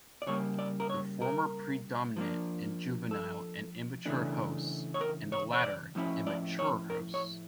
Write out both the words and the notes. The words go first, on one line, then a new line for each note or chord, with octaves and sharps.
The former predominate in juvenile and immature hosts, and the latter in mature hosts.
D5
C#3 G3 A#3 C#5
D5
A#4
C#5
A#4
F3 A#3 D4
A4
C#3 E3 A3 D4
C#5
A#4
C#5
C#5
D5
A2 F3 C#4 E4
D5
C#5
A#4
C#5